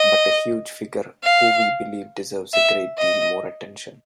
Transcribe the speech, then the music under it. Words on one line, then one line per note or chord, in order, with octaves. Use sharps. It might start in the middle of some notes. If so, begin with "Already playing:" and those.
But a huge figure who we believe deserves a great deal more attention.
Already playing: D#5
F5
E5
D#5